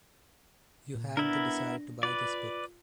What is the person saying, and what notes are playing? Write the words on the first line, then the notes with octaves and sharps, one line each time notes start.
You had the desire to buy this book.
A#2
B3 D4 E4 A#4 A#6
F4 B4 D5